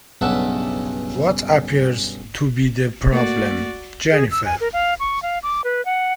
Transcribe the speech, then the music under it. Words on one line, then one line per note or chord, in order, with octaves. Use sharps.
What appears to be the problem, Jennifer?
B1 G2 C#3 E5 F#5 A5
A3 A#3 F#4 D5
G#4
E6
G#5
A#4
F5
C#6
F5
D6
B4
F#5